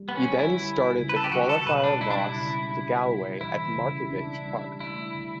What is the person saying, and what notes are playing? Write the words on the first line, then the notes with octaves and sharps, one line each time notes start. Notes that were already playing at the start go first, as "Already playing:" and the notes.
He then started the qualifier loss to Galway at Markievicz Park.
Already playing: G3
B3
C#4
D3
E4
G3
C#3
B4
A4
G4
F#3 F#4
A4
B2 B4
D4
G3 E4
D4
E4
C#3
D4
G3
E3 E4
C#3
D4
G3
A3 E4
D3